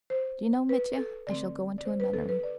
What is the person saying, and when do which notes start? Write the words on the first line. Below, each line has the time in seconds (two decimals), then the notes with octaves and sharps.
Do you know, Mitya, I shall go into a nunnery.
0.10 C5
0.69 B4
0.98 A4
1.27 D3 A3 C4 D5
1.78 D5
1.85 C5
2.00 B4
2.13 A4
2.29 B4
2.44 D5